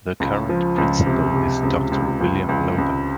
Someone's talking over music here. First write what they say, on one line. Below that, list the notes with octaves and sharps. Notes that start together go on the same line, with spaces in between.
The current Principal is Doctor William Logan.
C#2
F3
C#2
C3
C3
C#2
C#2
C#2
C#2
C#2